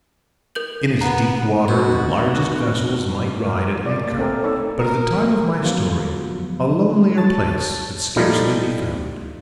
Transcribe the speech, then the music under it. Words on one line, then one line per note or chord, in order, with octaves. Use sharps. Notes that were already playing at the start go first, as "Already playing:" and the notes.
In its deep water the largest vessels might ride at anchor, but at the time of my story a lonelier place could scarcely be found.
A#4 G6 F#7
B3 A#5
F1 B2 F#4
A#4
F4 D5
A#3 D5
A3 C4 A4 A#4
D#4 A4 C#5 D5
A#4
G#2 D3 F3 F#3 B3 F4
C#5 A5 A6
F3 G3 A3 D#4 E4